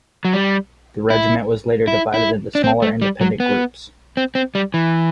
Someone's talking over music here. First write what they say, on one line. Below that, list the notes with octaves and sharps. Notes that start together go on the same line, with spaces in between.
The regiment was later divided into smaller independent groups.
F#3
G3
E4
E4
E4
D4
C4
A3
G3
F#3
B3
C4
C4
G3
E3